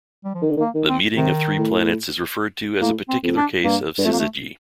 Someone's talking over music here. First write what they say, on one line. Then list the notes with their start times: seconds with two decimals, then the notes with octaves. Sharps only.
The meeting of three planets is referred to as a particular case of syzygy.
0.24 G3
0.34 F3
0.42 D#3
0.50 D3
0.57 D#3
0.61 A#3
0.75 D#3
0.89 C4
1.17 C3 D#3
1.58 A2
2.81 A2 A#3
3.09 C4
3.23 F2
3.37 D4
3.64 G2 A#3
3.98 G2
4.05 F2 A3
4.13 A#3
4.19 A3